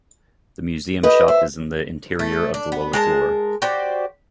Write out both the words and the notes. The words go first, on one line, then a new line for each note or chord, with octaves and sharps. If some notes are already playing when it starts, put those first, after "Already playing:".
The museum shop is in the interior of the lower floor.
G4 B4 D#5
C5 E5
A3
D4
B3
G#3 A#4 A5
F#4 G4 C5 D5